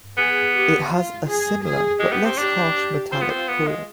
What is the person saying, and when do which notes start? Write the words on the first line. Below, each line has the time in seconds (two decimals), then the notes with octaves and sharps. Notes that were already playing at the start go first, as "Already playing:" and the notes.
It has a similar but less harsh metallic call.
0.17 B3 G#4
0.54 G4
0.90 F4
1.28 G#4
1.64 G#4
1.99 G#3 G4
2.12 B3
2.25 C4
2.38 D4 G4
3.11 C4 F4
3.21 B3
3.30 C4
3.48 B3
3.67 G#3